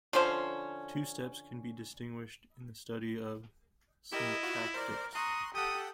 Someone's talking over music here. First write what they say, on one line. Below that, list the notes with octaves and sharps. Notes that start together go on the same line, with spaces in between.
Two steps can be distinguished in the study of syntactics.
D3 F3 C#4 C5
E4 G4 A#4 D#5
F4 F#4
A#4 C5 D5
A#5 C6 C#6 D#6 F#6
G4 A4 F#5 G5 D#6